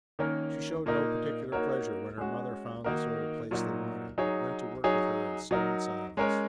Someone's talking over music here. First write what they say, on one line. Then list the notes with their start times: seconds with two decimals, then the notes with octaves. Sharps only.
She showed no particular pleasure when her mother found the sort of place they wanted, but went to work with her in sullen silence.
0.19 D#3 A#3 C#4 A#4
0.86 A#2 A#3 D#4 A#4
1.52 A#3 D#4 F#4 A#4 C#5
2.18 G#3 C#4 F#4
2.84 D#3 A#3 D#4 F#4 A#4
3.51 A#2 F#3 D#4 F#4
4.18 F#3 D#4 G#4 C#5
4.84 F#3 D#4 G#4 C#5
5.51 F#3 D#4 A#4
6.17 G#3 C#4 A#4 C#5